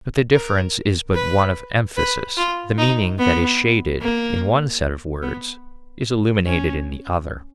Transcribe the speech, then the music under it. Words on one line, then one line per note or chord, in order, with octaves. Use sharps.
But the difference is but one of emphasis; the meaning that is shaded in one set of words is illuminated in the other.
A#4
B4
B4
F4
D#4
B3
A#3
B3
C#4